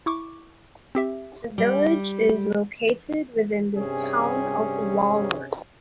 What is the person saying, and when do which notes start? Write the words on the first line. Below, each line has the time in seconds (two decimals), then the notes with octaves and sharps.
The village is located within the Town of Walworth.
0.06 E4 C#6 D6
0.95 C4 G4 E5
1.58 G3
3.76 G2 C3 G3 C#4 G#4